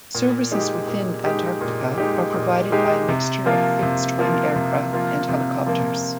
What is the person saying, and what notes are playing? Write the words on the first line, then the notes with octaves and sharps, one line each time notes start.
Services within Antarctica are provided by a mixture of fixed-wing aircraft and helicopters.
A#2
G#3 D#4 G4
A#2
G#3 D#4 G4
A#2
G#3 D#4 G4
A#2
G#3 D#4 G4
C3
F3 A#3 F4
C3
F3 A#3 F4
C3
F3 A#3 F4
C3
F3 A#3 F4